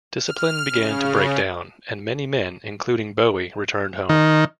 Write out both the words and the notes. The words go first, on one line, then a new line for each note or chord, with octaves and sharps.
Discipline began to break down, and many men, including Bowie, returned home.
F6
C#3
D#3